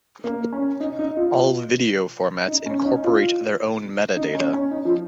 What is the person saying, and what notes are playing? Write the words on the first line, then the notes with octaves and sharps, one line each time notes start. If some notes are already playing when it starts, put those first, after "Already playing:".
All video formats incorporate their own metadata.
A#3
C#4
D#4
D#4
F4
D#4
C#4
C#4
D#4
F4
D#4
C#4
C#4
D#4
F3